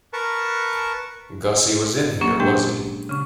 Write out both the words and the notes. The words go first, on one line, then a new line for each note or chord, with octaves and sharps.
Gussie was in here, was he?
A#4 B4 A5 C#6
F#3 A#3 C#4
A#2 G#3 D4 G4 G5 C6
C#3 C#4